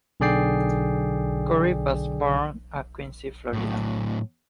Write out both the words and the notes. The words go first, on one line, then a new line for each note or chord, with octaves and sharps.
Corry was born at Quincy, Florida.
B1 D3 G#4 D5 G5 C7
A2 F#3